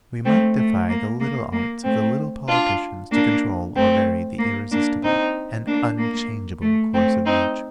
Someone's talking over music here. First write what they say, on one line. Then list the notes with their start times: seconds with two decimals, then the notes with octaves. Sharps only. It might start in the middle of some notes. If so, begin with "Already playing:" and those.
We might defy the little arts of the little politicians to control or vary the irresistible and unchangeable course of nature.
0.25 A3 C4
0.57 A3
0.89 A#3
1.20 A#3
1.52 A#3
1.84 A3 C4
2.47 D4 F4
3.11 A#3 D4
3.76 A3 C4
4.38 A#3
4.71 A#3 D4
5.03 C4 D#4
5.66 A#3 D4
5.98 A#3
6.62 A3
6.94 A3 C4
7.25 C4 D#4